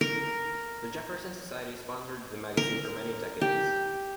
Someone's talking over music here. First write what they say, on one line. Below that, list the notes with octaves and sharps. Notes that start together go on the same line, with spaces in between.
The Jefferson Society sponsored the magazine for many decades.
A#4
A#4
G4